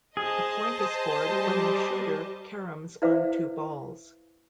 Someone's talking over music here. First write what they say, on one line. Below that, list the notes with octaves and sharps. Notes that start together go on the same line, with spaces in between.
A point is scored when the shooter caroms on two balls.
G#4 C5 D#5 A5
G3
E4 B4 C5 E5 F5